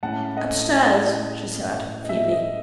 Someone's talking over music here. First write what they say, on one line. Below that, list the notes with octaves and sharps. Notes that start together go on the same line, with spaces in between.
"Up stairs," she said, feebly.
A2 G#3 C#4 E4 F#5 A5
D#5 F#5
D#5
E5
D#5